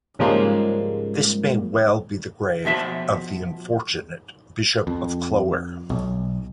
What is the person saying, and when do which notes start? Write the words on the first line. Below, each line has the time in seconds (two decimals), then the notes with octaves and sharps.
This may well be the grave of the unfortunate Bishop of Clogher.
0.19 G#2 C#3 F3 G3 G#3 A#3
2.65 B2 F3 E5 A5
4.87 F2
5.90 B1